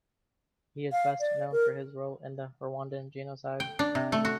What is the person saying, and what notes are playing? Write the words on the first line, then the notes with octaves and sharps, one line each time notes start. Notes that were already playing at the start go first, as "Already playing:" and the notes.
He is best known for his role in the Rwandan Genocide.
F5
D5
A#4
G5
D4
C3
A3
F#4